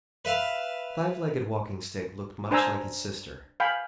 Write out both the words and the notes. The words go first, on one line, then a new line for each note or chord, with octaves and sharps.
The Five-Legged Walking-Stick looked much like his sister.
B4 E5 F5
D4 C5 G#5 A#5 E6
F5 G5 G#5 B5